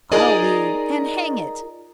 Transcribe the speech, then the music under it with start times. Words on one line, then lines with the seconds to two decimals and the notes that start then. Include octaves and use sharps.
I'll lead, and, hang it!
0.12 D#4 F4 G#4 A#4 D5 D#5